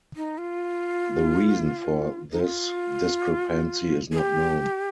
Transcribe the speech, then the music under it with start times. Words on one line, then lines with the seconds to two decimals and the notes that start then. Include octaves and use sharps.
The reason for this discrepancy is not known.
0.16 D#4
0.38 F4
2.32 D#4
2.40 F4
4.12 G#4
4.18 G4